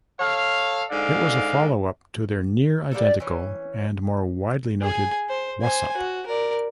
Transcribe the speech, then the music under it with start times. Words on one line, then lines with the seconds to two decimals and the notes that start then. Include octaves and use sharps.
It was a followup to their near-identical and more widely noted Whassup?
0.20 A4 C#5 F5
0.90 G#2 D3 D5 F5
2.91 G3 A#3 D4 A4
3.20 E3 C#4
4.82 G#4 G#5
5.29 C5
5.62 C5 G#5
5.97 F#4
6.26 A#4 D5